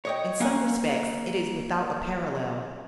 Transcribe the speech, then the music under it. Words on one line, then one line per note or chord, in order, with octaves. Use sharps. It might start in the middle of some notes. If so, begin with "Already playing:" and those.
In some respects it is without a parallel.
C#5 D#5 G5
A#3 F5 F#5 G#5